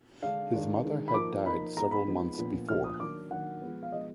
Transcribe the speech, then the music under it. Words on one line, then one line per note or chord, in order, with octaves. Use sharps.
His mother had died several months before.
D3 G#3 D4 F5
D#3 G#3 D4
D#3 G#3 D4
B5
F3 A#3 D#4 D6
F3 A#3 D#4 B5
F3 G#3 B3 D#4 A#5
B5
F3 G#3 B3 D#4
A#2 F3 B3 D4
A#2 F3 B3 D4 F6
D#6
D#3 F#3 A#3 D4 D6
D#3 F#3 A#3 D4 F#5
F3 G#3 B3
F5
F3 G#3 B3 D#5